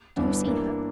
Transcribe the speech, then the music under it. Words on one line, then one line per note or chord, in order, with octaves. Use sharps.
Do you see her?'
G1 G2 E3 B3 D4
G2 E3 A#3 D4